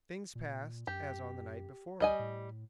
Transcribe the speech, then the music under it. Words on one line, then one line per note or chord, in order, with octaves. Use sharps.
Things passed as on the night before.
A#2
F#2 G4
D2 G3 D#5 G#5
A2